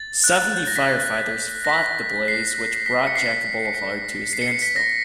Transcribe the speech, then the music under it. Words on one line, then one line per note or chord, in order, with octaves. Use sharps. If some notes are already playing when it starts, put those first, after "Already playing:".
Seventy firefighters fought the blaze which brought Jacka Boulevard to a standstill.
Already playing: A6
F#6
F#6
G6
A#6
B6
A#6
A#6
B6
C7
B6
C#7
C7
C7
B6 C#7
C7
C#7
C7
B6
A#6